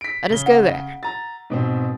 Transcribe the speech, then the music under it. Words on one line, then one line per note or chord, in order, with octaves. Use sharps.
"Let us go there."
B6 D7
C#3 G7
F#5
A#5 A6
G#2 B2 C4